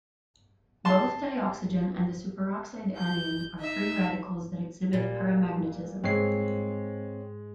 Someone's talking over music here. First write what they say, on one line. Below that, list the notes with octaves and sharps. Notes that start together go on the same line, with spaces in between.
Both dioxygen and the superoxide anion are free radicals that exhibit paramagnetism.
A5 C6
G6
D#4 E5
A#2 G3
G#2 G#3 C4 C#5 C7